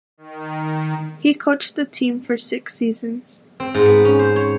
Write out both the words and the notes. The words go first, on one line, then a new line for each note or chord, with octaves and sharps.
He coached the team for six seasons.
D#3
C4
G#2
B3
C#4
C5
C#5